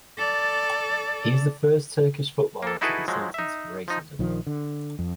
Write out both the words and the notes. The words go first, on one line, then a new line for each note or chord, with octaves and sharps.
He is the first Turkish footballer to be sentenced for racism.
A4 D5
A#3 A4
D#4 E4 F#4 G#4 A4 B4
F3 F#3 G#3
D#4 E5
F3 D#4
A#1 D#3 F3
D3
F2